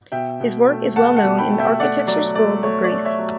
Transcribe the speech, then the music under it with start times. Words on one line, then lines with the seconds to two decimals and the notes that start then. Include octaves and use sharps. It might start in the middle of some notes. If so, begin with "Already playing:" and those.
His work is well known in the architecture schools of Greece.
0.12 B2 E5 G5
0.40 B2
0.69 A3
0.96 A3 F#5 A5
1.16 F#5 A5
1.24 B2
1.38 G5 B5
1.51 A3
1.59 E5 G5
1.80 A3 D5 F#5
2.07 F#3 D5
2.35 A3 D5
2.63 A3 C#5
2.84 D5
2.92 A3
3.05 C#5 E5
3.19 F#3